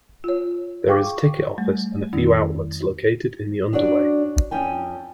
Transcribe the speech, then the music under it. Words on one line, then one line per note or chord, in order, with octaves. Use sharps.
There is a ticket office and few outlets located in the underway.
F4 C#5
G#4 F5 G5 C#6 D6
G3 A3
F2 D#3 C#4 E4
F#2 D4 F#4 C#5 D5
F2 C#4 G5 G#5